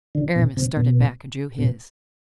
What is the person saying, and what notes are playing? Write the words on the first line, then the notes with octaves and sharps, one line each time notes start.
Aramis started back and drew his.
D3
B2
C3
B2
B2